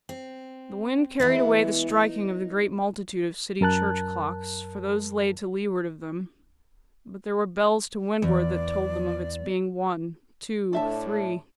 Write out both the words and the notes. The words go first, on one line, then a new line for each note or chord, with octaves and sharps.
The wind carried away the striking of the great multitude of city church clocks, for those lay to leeward of them; but there were bells to windward that told them of its being One--Two--Three.
C4
E3 G#3 B3
D#4
F#2 A#4 A5 F#6
E2 D5
A2 A3 D4 A4 E5 A5